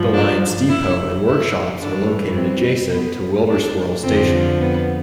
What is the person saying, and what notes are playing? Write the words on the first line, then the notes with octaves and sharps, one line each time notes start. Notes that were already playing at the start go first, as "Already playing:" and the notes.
The line's depot and workshops are located adjacent to Wilderswil station.
Already playing: G2 F3
D4
E4
E4
G2 E3 D4
C4
B3
D4
F2 D3 F3 C4
B3